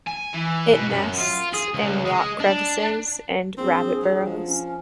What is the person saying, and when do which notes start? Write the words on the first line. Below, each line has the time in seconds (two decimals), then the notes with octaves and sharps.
It nests in rock crevices and rabbit burrows.
0.07 G#5
0.34 E3
0.72 B2
0.89 F#2
1.18 F4
1.54 G#4
1.74 C#2
2.05 G#3
2.40 D4
3.57 A#1 C4 G#4
4.02 F#3
4.26 F3
4.44 C#4